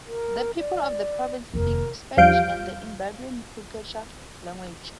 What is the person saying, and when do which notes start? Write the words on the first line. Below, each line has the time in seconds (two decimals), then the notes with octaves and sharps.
The people of the province speak Spanish and the Imbaburan Quechua language.
0.06 A#4
0.59 D5
1.54 F1 D#2 A#4
2.17 E2 F3 G3 F5 G6 D7